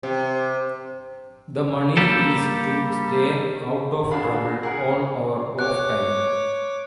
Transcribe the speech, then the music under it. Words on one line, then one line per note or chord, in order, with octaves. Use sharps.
The money is to stay out of trouble on our off time.
C3
G3 A#3 G4 A4
D4 F#4 G#4 F5 B5
G#4 A#4 F#5
C#5 D6 F#6